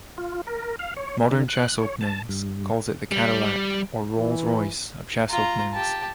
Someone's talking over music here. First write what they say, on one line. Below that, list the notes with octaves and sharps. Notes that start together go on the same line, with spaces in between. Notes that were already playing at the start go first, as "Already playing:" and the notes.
"Modern Chess Openings" calls it the "Cadillac" or "Rolls Royce" of chess openings.
F4
A#4
F5
C#5
D3
F#6
C#5
A5
G2
G3
E3
F4 A#5
G4 A5